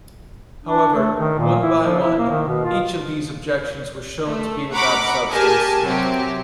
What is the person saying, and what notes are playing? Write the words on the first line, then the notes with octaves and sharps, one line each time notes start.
However, one by one, each of these objections were shown to be without substance.
D4
A3
D#3
A#2
E4
F3
E4
A#3
D#3
B2
F4
A3
F#5 A#5 B5 C#6 D6
G4 G#4 A#4 G#5 A5
C3 F#3 C4 G4